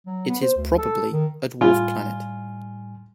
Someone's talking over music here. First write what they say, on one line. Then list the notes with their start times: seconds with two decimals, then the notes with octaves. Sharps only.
It is probably a dwarf planet.
0.07 F#3
0.28 B3
0.42 C5
0.57 D2
0.78 A4
1.12 D#3
1.61 A2 G3 F4 G#5